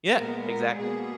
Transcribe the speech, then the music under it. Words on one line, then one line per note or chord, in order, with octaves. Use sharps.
Yeah. Exactly.
A#2 G#3 B3 A#4
A#4
B2 A#3 G#4